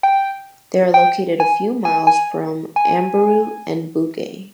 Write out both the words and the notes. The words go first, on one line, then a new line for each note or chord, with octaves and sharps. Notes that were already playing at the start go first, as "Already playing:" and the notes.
They are located a few miles from Ambérieu-en-Bugey.
G5
G5
G#5
G#5
G#5
G#5